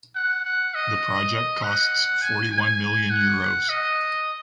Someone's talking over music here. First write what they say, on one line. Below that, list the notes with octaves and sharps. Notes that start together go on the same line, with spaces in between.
The project costs forty one million Euros.
F#5
F#5
D#5
F#5
G#5
G#5
F#5
D#5